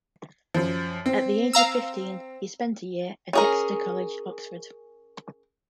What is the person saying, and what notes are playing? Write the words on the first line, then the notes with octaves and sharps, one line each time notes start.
At the age of fifteen, he spent a year at Exeter College, Oxford.
F#2 F3
C4
F5 A#5 E6
C#4 G#4 A#4